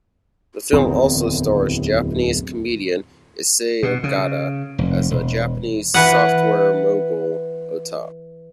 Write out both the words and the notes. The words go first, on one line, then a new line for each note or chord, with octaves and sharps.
The film also stars Japanese comedian Issey Ogata as a Japanese software mogul, Ota.
D1 E2 D#3 C4
B2
C#3
F1
E1
E3 B4 F#5